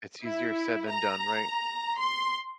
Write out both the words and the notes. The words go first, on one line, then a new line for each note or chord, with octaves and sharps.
It's easier said than done, right?
E4
A#5
C6